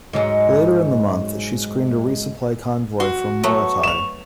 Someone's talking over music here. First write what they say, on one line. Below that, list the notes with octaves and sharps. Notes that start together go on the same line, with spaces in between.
Later in the month, she screened a resupply convoy from Morotai.
G#2 F#3 G#3
F#4 C6
F#3 A3 B3 C#6
E7 F7